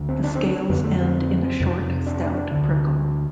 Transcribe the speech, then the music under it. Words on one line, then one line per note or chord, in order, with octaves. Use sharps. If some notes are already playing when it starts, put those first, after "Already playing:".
The scales end in a short stout prickle.
Already playing: D2 D3
C4
D4
C4
D4
F2 D3 B3
A3
C4
F2 C3
D4
D2 D3